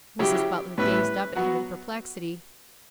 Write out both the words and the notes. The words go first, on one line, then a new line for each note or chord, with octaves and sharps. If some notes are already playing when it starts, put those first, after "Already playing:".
Mrs. Butler gazed up at him in perplexity.
C#3 F#3 C#4 E4 G4
A2 G3 C#4 E4 B4
F#3 B3 F#4